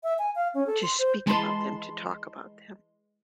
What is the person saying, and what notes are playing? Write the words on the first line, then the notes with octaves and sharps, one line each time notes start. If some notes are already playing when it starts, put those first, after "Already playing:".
to speak about them, to talk about them,
E5
G#5
F5
C#4
A4
C6
C5
E3 G#3 A5 B5 C6